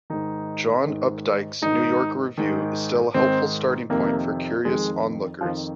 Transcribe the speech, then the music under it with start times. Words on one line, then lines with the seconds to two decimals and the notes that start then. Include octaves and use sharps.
John Updike's New Yorker review is still a helpful starting point for curious onlookers.
0.10 G#2 D#3 D#4
0.86 G#2 D#3
1.62 G#2 D#3 D#4
2.38 G#2 D#3
3.14 G#2 D#3 C4
3.90 F2 C3 D#3 A#3
4.65 F2 D#3 G#3
5.41 F2 D#3 F3